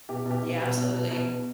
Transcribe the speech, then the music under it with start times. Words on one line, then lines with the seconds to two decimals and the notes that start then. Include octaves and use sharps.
Yeah, absolutely,
0.09 B2 G4
0.26 B2
0.31 G4
0.42 B2
0.60 B2
0.77 B2
0.94 B2
1.11 B2
1.29 B2